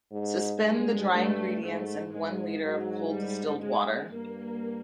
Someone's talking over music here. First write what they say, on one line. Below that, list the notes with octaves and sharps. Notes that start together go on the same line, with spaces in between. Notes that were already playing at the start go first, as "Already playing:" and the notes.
Suspend the dry ingredients in one liter of cold distilled water.
G#2
G2 G#3
G2 A3
G#2 A3
G#2 G#3
G#2 F#3
G3
G#3
G2 A#3